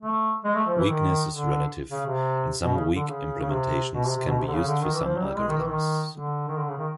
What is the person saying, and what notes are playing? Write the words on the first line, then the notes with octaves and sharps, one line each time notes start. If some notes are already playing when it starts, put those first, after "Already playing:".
Weakness is relative, and some weak implementations can be used for some algorithms.
A3
G#3
A3
F3
E3
D#3
D3
C#3
C3
B2
C#3
D3
C#3
C#3
C3
B2
C3
C3
B2
C3
D3
C#3
D3
D#3
E3
F3
F#3
G3
G#3
D#3
E3
D#3
D3
D#3
D3
C#3
D#3